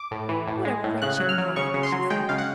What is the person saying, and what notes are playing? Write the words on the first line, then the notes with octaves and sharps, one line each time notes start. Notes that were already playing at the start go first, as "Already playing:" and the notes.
"What a wretched morning!" she said.
Already playing: D6
A2
E3
A2
G#3
A2
C#3 F#6
F#3
F6
F#3
C#3 C#6
C#3
C6
F#3
G#3 G5
C#3 F5
F#5